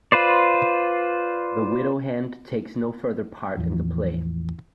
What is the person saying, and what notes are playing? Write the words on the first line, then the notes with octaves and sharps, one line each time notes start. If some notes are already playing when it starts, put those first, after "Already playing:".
The widow hand takes no further part in the play.
F4 B4 C5 D5
A1 E2 E3 F3